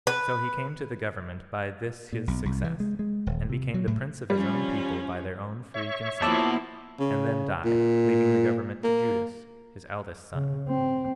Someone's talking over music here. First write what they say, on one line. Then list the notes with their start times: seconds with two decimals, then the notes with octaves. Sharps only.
So he came to the government by this his success, and became the prince of his own people by their own free consent, and then died, leaving the government to Judas, his eldest son.
0.07 B4
2.13 A#2
2.27 B1
2.45 C2
2.64 E3
2.80 G#3
2.99 G#3
3.26 D#1
3.50 C3
3.74 F#3
3.87 A2
4.30 F3 G3 C#4
5.74 C#5 E5 C#6
6.22 B2 F3 A#3 E4 F#4 A5 D6 E6
7.00 C#3
7.65 A#2
8.84 A#3
10.34 C#3
10.68 C4